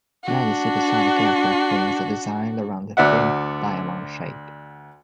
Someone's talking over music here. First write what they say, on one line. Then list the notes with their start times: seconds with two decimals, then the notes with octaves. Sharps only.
Many supersonic aircraft wings are designed around a thin diamond shape.
0.24 D4 F#4
2.97 D2 D5 E5 F#5